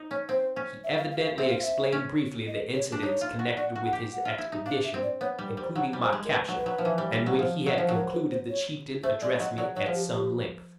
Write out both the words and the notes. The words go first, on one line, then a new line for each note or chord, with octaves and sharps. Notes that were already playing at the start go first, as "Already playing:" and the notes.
He evidently explained briefly the incidents connected with his expedition, including my capture, and when he had concluded the chieftain addressed me at some length.
Already playing: D#4
C#4 C#5
C4 C5
C#4
E5
F5
F5
F5
C4 E5
F5
E5
C#4
D#5
C#5
D4
D#4 C#5
F4
F#4
F#4 D5
F#4
F#5
G4
F#5
F4
E4
D#4
D4 F5
E5
C4
D5
B3 C#5
G3
A#4
G3 C5
F#3 F#5
G3
C5
G#3
A#4
B4
F#3
B4
F#3
F3
E3
G3
G3
F#3
F3
F#3
F3
F#3
A#4
B4
C5
C#5
A3 C5
G#3 D5
F#3 D#5
F#3 D5
F#3 C#5
F3
G4
G4